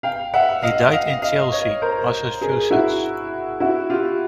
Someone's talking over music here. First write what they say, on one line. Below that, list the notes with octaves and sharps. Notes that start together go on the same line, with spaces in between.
He died in Chelsea, Massachusetts.
F5 G5
E5 F#5
D#5 F5
D#5 F5
D#5 F5
C#5 D#5
A#4 C5
G#4 A#4
E4 F#4
E4 F#4
F4 G4